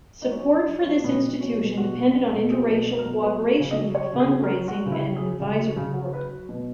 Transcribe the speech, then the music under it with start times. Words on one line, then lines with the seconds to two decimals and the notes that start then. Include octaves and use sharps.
Support for this institution depended on interracial cooperation for fund-raising and an advisory board.
0.22 D#4
0.32 F#3 C#4
0.51 F#3
0.68 F#3
0.81 C#4
0.87 F#3
1.04 B2 B3
1.23 B2
1.41 F#3 C#4
1.59 B2
1.77 B2 F#4
1.95 B2
2.13 B2
2.31 B2
2.50 F#3 G#4
2.68 B2
2.87 F#3
2.99 A#4
3.04 B2
3.22 F#3 B4
3.40 F#3
3.59 C#3
3.71 D#5
3.77 F#3
3.95 F#3 C#5
4.13 C#3
4.20 G#4
4.31 F#3
4.43 A#4
4.50 F#3
4.67 F#3 F#4
4.86 C#3
4.92 E4
5.03 F#3
5.16 G#4
5.22 F#3
5.40 C#3
5.58 F#3
5.77 C#3
5.94 F#3
6.13 F#3 B4
6.31 F#3
6.49 B2